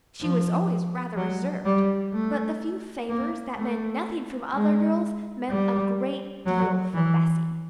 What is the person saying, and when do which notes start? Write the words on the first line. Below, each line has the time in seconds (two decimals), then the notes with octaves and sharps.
She was always rather reserved, but the few favours that meant nothing from other girls meant a great deal from Bessy.
0.21 F3
1.16 F#3
1.65 G3
2.13 A3
3.09 A#3
3.57 A3
4.53 G#3
5.50 G3
6.46 F#3
6.94 E3